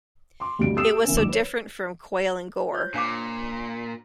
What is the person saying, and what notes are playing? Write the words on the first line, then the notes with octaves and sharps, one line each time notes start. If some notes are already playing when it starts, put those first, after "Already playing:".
It was so different from Quayle and Gore.
C6 D6
D2 G2 B2 G3 C4 D7
A3 G4 D#6 E6 C7 E7
E3 A#3 C4 C#4
G1 D2 F3 D#4 D6 E7
B4 C#5
F4 C5 C#5
A#2 D4 F5 D6